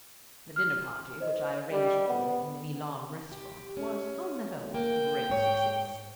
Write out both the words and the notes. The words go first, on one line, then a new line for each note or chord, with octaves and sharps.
The dinner party, which I arranged for in the Milan restaurant, was, on the whole, a great success.
F6
C5 D#5
G3
B3
G4
C#4
A#3 G5
G#2 C#5